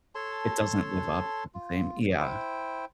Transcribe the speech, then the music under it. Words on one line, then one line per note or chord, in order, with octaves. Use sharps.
It doesn't live up to the same Yeah,
A4 C#5 A5 C6
F4
E4 C5 G5